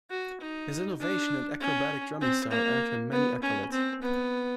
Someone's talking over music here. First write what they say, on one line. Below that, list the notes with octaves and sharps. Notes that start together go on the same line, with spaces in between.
His innovation and acrobatic drumming style earned him many accolades.
F#4
D#4
D4
C#4
C4
A#3
B3
C#4
C4
B3